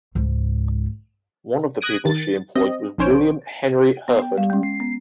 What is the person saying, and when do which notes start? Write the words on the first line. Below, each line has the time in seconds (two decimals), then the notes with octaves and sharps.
One of the people she employed was William Henry Herford.
0.15 C#2 G#2
1.81 D#6 F#6 G#6 A#6 D7 D#7
2.05 D#3 A6
2.56 C4 D#5
2.98 A#1 D#3 C#4 C5 C#5 D7
4.08 B3 C6
4.22 G5
4.38 G3 F5
4.50 G#3 C#4
4.63 C7
4.80 B3